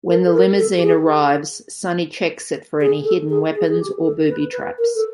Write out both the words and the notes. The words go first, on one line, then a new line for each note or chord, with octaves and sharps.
When the limousine arrives, Sonny checks it for any hidden weapons or booby traps.
A#4
A4
A#4
A4
G4
G#4
G#4
A4
G#4
G#4
G#4
G4
A4
B4
B4
A#4
A4